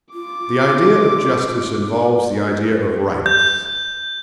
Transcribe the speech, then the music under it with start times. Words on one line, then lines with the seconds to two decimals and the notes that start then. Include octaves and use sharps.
The idea of justice involves the idea of rights.
0.14 F4 D6
3.26 G6